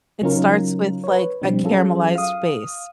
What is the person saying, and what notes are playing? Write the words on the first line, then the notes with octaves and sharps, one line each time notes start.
It starts with, like, a caramelized base.
C#3 F#3 C#4 D#4 F4 A#4
B4 C#5
B2 F3 G3 C4 D4
F#3 C#4 F4 G#4 A4
F5 D#6